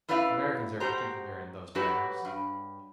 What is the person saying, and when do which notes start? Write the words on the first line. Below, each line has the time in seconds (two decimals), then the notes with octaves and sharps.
Americans are particular in those matters.
0.09 F#2 E4 B4 D5 F5
0.80 G#2 F#4 G4 C5 A#5
1.75 F#3 F#4 G4 B4
2.25 G2